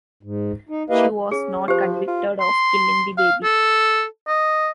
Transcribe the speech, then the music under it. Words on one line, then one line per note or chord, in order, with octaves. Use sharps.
She was not convicted of killing the baby.
G#2
D#4
A#3 E4 G4 B4 D#5 F5
C#4 G#4
F3 G4 C5
F4
C6
F5
A4
D#5